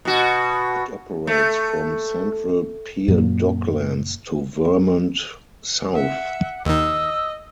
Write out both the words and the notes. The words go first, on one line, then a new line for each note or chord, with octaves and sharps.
It operates from Central Pier Docklands to Vermont South.
B2 F#4
A3
F#2 A#2 F#3 A#3
E5 F#5
D#2 D#3 D#5 E6